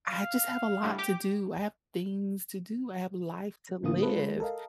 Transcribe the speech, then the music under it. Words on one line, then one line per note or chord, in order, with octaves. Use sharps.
I just have a lot to do. I have things to do. I have a life to live,
F5
A2 D3 G3
G4 D6
A2 D3 A#3 F4 D#6
G#3 F4 A4 B4 C5
G#3
A4 A#4 D#5 F5